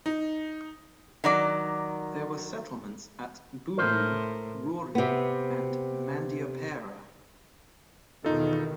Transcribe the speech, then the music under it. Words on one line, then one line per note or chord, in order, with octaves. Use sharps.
There were settlements at Buwu, Rori and Mandiopera.
D#4
D#3 F#3 D5
A2 A#4 C5
C3 B3
E2 B2 D#3 D#4 F4 A4